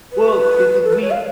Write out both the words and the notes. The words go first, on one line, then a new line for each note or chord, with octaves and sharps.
Well, d d we
B4
A4
B4
C#5
F5